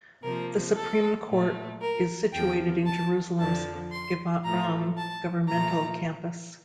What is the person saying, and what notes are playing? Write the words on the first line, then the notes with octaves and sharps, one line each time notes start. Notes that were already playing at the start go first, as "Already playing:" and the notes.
The Supreme Court is situated in Jerusalem's Givat Ram governmental campus.
C3 F3 A#3 A#4
A4
A#2 A3
A#4
E2 C3 F3 G5
A5
F2 D3 F3 A5
C6
A2 F3 A3 A#5
A5
A#2 F3 A3 A#5